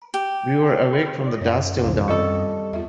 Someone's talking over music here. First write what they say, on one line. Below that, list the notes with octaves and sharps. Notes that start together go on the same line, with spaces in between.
We were awake from dusk till dawn.
G4
F#2 C#5 F#5
C2 D#3 E3 F5
G3 C4 F4 A4 D#5 C#6
E2 F4 E5